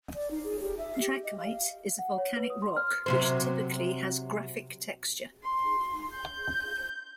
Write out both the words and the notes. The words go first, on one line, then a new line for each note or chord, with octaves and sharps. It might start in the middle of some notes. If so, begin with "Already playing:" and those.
Trachyte is a volcanic rock which typically has graphic texture.
D5
D#4
G#4
G4
E5
G4
D#5
F5
F#5
C#5
B4
D#6
C6
F6
C3 F#3 C5
C6
G6